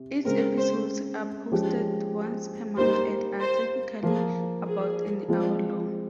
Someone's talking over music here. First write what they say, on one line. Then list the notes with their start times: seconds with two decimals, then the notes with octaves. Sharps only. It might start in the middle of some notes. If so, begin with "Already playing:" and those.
Its episodes are posted once per month and are typically about an hour long.
Already playing: C3
0.25 C#3 G#3 C4 A#4
0.57 C5
1.51 F3 G#3 C#4 G4
2.77 G3 A#3 D#4 C5
3.40 C5
4.02 F3 A#3 F4 G#4
4.66 G#4
5.28 F3 G#3 C4 F4